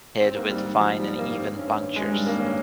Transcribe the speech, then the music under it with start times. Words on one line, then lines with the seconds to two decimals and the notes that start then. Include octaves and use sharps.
Head with fine and even punctures.
0.21 D#3 C4
0.32 C4
0.35 G#2 A#3
0.49 G#2 G3
0.65 D#3 G3
0.79 D#3 F3
0.94 G#2
0.99 G3
1.08 G#2
1.19 A#3
1.24 D#3
1.30 A#3
1.38 D#3 C4
1.53 G2 C#4
1.68 G2
1.82 D#3
1.96 D#3 G#3
2.12 G2 G3
2.26 G2 A#3
2.40 D#3 C#4